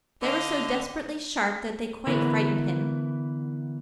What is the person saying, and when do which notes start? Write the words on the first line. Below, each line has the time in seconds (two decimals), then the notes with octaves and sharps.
They were so desperately sharp, that they quite frightened him.
0.22 D3 D#5 F5
2.07 D3 E3 B3 E4 A#4 B4